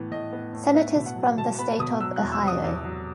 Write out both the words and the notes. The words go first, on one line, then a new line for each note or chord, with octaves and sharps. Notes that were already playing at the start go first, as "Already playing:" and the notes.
Senators from the state of Ohio.
Already playing: A2 E3 B3
A2 D#5
B3
A2
B3 E5
B2
F#5
F#3
B2 A5
B3 B5
B2 D#6
F#3 E6
F#6
E2
E6
C3
D#6
E2
F#3